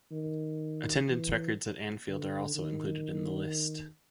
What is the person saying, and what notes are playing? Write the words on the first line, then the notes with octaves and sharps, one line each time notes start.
Attendance records at Anfield are also included in the list.
D#3
E3
D3
D#3